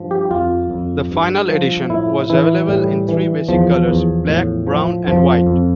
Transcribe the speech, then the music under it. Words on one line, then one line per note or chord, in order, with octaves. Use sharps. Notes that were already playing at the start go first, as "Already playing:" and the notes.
The "Final Edition" was available in three basic colours: black, brown and white.
Already playing: G2 F3
G4
F2 F4
F2
G2
F3
A2 E4
E3 E4
A2 G3
E3
E2 F3
E2
A2
F3
F2 F3
F2